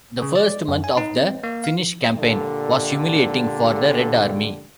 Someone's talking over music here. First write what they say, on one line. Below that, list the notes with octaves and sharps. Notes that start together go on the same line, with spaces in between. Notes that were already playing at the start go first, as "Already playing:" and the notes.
The first month of the Finnish campaign was humiliating for the Red Army.
C#3
D5
F#2
G#5
D#4
C4
A#3
F5
A#2 D3 G4 A4